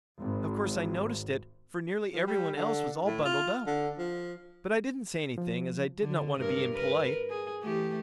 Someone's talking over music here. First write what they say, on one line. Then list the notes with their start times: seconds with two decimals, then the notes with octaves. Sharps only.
Of course I noticed it, for nearly everyone else was all bundled up; but I didn't say anything as I did not want to be impolite.
0.18 G#1
2.13 F3
2.27 G3
2.56 D3
3.05 A2
3.25 F4
3.67 D3
3.98 F3
5.38 F3
6.00 D3
6.40 G2 A#4
6.73 A#4 B4
7.30 G#4
7.63 E3 A3 G4